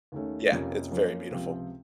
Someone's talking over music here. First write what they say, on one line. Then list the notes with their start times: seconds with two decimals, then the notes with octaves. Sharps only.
Yeah, it's very beautiful.
0.12 D#2 D#3 A3 C#4
0.52 F2 C3 F3 A#3 C#4
0.91 F#2 F3 A#3 C#4
1.31 C#2 C3 F3 C4